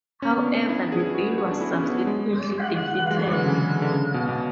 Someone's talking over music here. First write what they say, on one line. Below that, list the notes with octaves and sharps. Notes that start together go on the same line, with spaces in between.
However the bill was subsequently defeated.
C#4
B3
C#4
D4
E4
G#4
F#4
F#4
D4
E4
C#4
B3
G#3
E3
G#3
F#3
E3
D3
C#3
D3
C#3
B2
B2